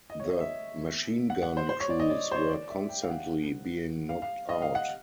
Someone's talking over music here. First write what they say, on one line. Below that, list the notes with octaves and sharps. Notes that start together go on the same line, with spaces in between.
The machine gun crews were constantly being knocked out.
D#5
C#5
D#5
E5
F#5
F#5
C5
C5
C#5
D5
D#5
D5
C5
C#5
D5
E5
G5
F5
F#5
F5
F5
D#5
F5
F#5